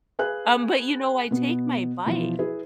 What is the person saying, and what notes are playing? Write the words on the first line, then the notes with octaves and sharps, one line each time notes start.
Um, but you know, I take my bike
G#4 B4 F5 G#5 F#6
B2 B3
B2 E3 F3
E4 G#4 B4